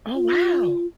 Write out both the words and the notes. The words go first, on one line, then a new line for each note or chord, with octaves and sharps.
Oh, wow.
F4